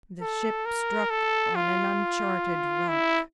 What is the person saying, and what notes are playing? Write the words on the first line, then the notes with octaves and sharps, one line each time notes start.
The ship struck on an uncharted rock.
A4
A#4
A4
F4
E4